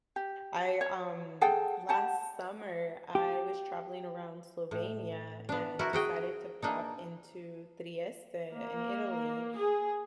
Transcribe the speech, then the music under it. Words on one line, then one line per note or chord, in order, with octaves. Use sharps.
I, um, last summer, I was traveling around Slovenia and decided to pop into Trieste in Italy,
G4
C#5
G#4 A4 F#5 G5
G4 F#5 A5
G4
A2
B3 D4
E4 F#4 A#4
F#4 G#4 G5
A#3 D4 D#4
A#3
G#4